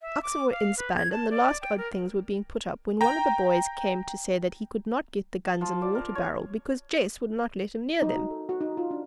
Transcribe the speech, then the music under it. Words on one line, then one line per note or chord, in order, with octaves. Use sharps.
The oxen were inspanned and the last odd things were being put up when one of the boys came to say that he could not get the guns and water-barrel because Jess would not let him near them.
E5
D6
F5
B4
G#6
A5
D5
G5
A#4
G5 A#5
A5
F3
D5
A#4
C#5
D#4
F#4
A4
F#4
D#4
F4
D4